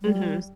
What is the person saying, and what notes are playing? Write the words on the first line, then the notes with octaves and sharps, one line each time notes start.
Mhm. S
G3